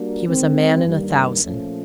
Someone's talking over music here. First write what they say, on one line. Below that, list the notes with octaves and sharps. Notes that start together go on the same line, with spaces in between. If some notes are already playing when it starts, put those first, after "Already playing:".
He was a man in a thousand.
Already playing: G3 A#3 D4 F#4 A#4
D#3 G#3 C4
G2 D#3 G3 A#3
A#2 F3 A3 C#4